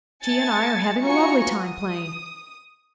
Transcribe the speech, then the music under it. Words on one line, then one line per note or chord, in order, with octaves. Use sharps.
"She and I are having a lovely time playing."
E5 G#5 A5 G#6 A6 C#7
F4 F#4 G#5 A#5 C#6 C#7
D#6